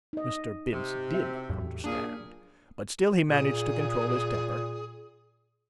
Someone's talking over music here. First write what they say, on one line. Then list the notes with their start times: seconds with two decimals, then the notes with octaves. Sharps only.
Mr. Bince did understand, but still he managed to control his temper.
0.13 D#4 D#5
0.72 C3
1.13 F#4 E5
1.49 E2 A2 F#3 G4
1.84 A#2 A#3 D4 G#4
3.28 A#2 G#4